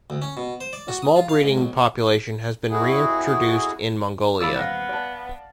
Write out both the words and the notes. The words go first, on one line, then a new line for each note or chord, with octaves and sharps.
A small breeding population has been reintroduced in Mongolia.
D2
C#4
B2
C5
D5
F#4
D#6
F4
F5
G#2
B1
F2 E4 F#4 G#4
E3 F3 A#3 D5 B5 E6
D#1 B3 B4 F5 F#5 A#6
D5 A5